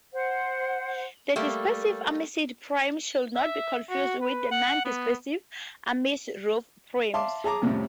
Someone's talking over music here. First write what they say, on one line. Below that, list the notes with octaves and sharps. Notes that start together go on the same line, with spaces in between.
The dispersive Amici prism should not be confused with the non-dispersive Amici roof prism.
C5 F#5
G3 A3 A#3
E5
F#4
B4
F#5
B3
E5 F5 A5 C6 D6
G#4 A5 A#5 D6
F2 A2 C3 G3 C#4